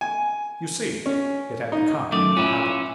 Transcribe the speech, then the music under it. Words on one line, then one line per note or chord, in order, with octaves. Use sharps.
You see, it had become a habit.
G#5
C#4
D#4
F#2 D#3 A3 D6
C#4 E4 F4